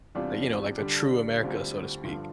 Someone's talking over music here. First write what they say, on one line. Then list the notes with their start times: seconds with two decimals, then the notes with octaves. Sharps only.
like, you know, like, the true America, so to speak.
0.15 E2 C3 G3 D4 F4
0.78 D3 G3 D4
1.41 D2 D3 G3 C4 F4
2.04 G2 D3 F3